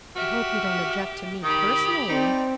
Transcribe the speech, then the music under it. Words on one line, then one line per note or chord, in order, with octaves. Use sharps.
"I hope you don't object to me personally."
F#4 G4 E5 F6
D#3 G4 B5 D#6
C4 D#4 D5